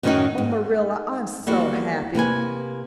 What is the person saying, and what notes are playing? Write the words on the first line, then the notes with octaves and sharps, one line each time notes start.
Oh, Marilla, I'm so happy.
F#2 A2 D#3 F#3 C#4 D#4
G#2
E2 G3 A#3 F#4
C3 A#3 B4 G#5